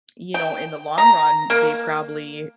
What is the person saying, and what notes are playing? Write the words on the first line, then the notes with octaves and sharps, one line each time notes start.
you know, in the long run, they probably
G5
A#5
A#3